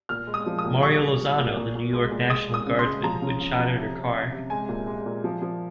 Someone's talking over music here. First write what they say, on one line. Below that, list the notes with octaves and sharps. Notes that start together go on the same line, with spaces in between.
Mario Lozano, the New York National Guardsman who had shot at her car.
A#2 F6
G#3
D#6
F3
D#6
A#2
G3 C#6
G3
G3
A#2
A#2
A#2
G#3
A#2
G#3 D#6
G#3
D#6
C#3
C6
G#3
F3 A#5
C#3
C#3
F3
C3
C3
C3
C3
G#3 G#5
A#2
G#3
A#2
F3
F3